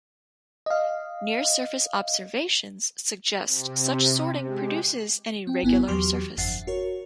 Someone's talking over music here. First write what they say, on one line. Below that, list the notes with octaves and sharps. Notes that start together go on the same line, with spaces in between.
Near-surface observations suggest such sorting produces an irregular surface.
D#5 F5
C3
G#3 G4
C4 G5
G#1 B3 E4 G#5
E2 F#3 G4 C6 D6 F6
G1 F2 E5 F#5 A6 C7
F#4 A#4 C#5